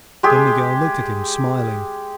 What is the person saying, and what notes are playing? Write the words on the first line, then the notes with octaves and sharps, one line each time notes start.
Don Miguel looked at him, smiling.
G#3 G4 G#4